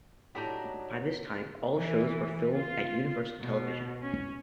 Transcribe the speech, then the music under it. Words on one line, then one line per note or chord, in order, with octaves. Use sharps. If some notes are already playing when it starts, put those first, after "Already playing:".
By this time, all shows were filmed at Universal Television.
A2 F#3 D4 D#4 G4 D5 A#5 B5
E3
F4
B2
C#4